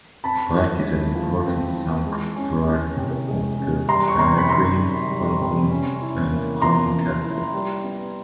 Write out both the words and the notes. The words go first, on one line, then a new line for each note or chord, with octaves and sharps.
The park is an important sanctuary of the peregrine falcon and common kestrel.
C4 A5 B5
E4
G#3
F3
C4
E4
G#3
C#4
E3
C3
G#3
C#4
G3 A#5 C6
C#6
C3 A#5 C6
B5
D#3 A#5 C6
C3
G3
C3
C#4
E4
A#3
F3 A#5 C6
C#4
E4
G3
B3